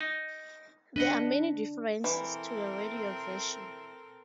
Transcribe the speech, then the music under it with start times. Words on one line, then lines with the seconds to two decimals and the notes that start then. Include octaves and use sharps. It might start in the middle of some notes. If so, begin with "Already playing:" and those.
There are many differences to the radio version.
0.01 D#4
0.96 D4 B4 D#5 F#5
2.04 E3 C4 A4 A#4